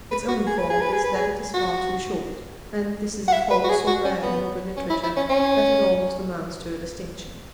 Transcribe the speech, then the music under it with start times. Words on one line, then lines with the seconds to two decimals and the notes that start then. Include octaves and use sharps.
Its only fault is that it is far too short, and this is a fault so rare in modern literature that it almost amounts to a distinction.
0.11 B4
0.29 F#4
0.47 G#4
0.58 B4
0.70 G#4
0.81 B4
0.93 G#4
1.04 B4
1.16 G#4
1.54 F#4
3.28 F#5
3.33 E5
3.51 B4
3.64 F#4
3.70 G#4
3.87 F#4
4.05 C#4
4.23 B3
4.77 C#4
4.90 E4
5.03 E4
5.17 C#4
5.30 C#4